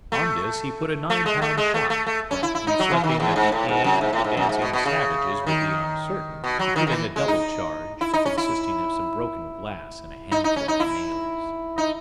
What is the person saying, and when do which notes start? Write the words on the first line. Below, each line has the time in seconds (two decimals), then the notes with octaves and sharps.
On this he put a nine-pound shot; but, reflecting that the aim at the dancing savages would be uncertain, he put in a double charge, consisting of some broken glass and a handful of nails.
0.12 A3
1.10 A3
1.26 G#3
1.42 A3
1.57 G#3
1.74 A3
1.90 A3
2.06 A3
2.31 C#4
2.43 E4
2.55 E4
2.67 D#4
2.79 F#3
2.91 E3
3.04 D#3
3.20 E2
3.36 G#2
3.52 A2
3.68 G#2
3.84 F#2
4.01 G#2
4.13 A2
4.24 G#2
4.37 F#2
4.49 G#2
4.62 B2
4.73 B2
4.85 C#3
5.47 D#3
6.44 B2
6.59 F#3
6.76 D#3
6.87 D#3
6.92 E3
7.16 G#3
7.28 D#4
8.01 E4
8.14 D#4
8.25 C#4
8.38 E4
10.32 D#4
10.44 D#4
10.56 C#4
10.68 D#4
10.80 E4
11.78 D#4